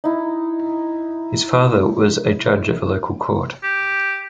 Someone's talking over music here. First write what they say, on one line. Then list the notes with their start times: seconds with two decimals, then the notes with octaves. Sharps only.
His father was a judge of local court.
0.04 D#4 E4
3.64 G4